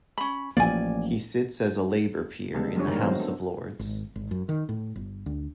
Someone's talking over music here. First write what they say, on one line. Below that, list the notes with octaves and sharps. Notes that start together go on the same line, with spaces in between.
He sits as a Labour peer in the House of Lords.
C#4 B5
A1 F3 A#3 D5 G#5
C#3 G3 G#3 B3 A4
F3 G3 A3 D4 C#5
D3 D#3 G#3 A#4
E3 F#3 G#3 B3 C4 C5
A4
G#1
G#1
F#2
D#3
A2
G1
D2